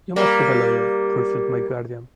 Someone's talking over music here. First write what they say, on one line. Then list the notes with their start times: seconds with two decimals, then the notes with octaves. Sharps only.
"You must have a lawyer," pursued my guardian.
0.16 G3 A#3